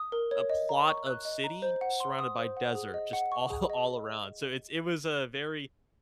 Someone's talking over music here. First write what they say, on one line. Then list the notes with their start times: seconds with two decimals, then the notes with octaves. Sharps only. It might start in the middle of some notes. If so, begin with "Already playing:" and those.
a plot of city surrounded by desert just all all around. So, it's it was a very
Already playing: D#6
0.12 A#4
0.31 C#5
0.50 D#5
0.69 A#5
0.88 C#6
1.07 F#6
1.25 D#5
1.44 A#5
1.62 C5
1.81 F#5
2.00 C6
2.19 D#6
2.38 C5
2.57 F#5
2.75 G#4
2.94 D#5
3.13 F#5
3.32 C#6
3.50 G#4
3.70 D#5